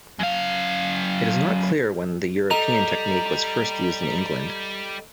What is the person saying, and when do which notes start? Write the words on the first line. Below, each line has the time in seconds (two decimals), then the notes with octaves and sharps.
It is not clear when the European technique was first used in England.
0.20 F#2 F5
2.51 G3 A4 D#5 A#5 F7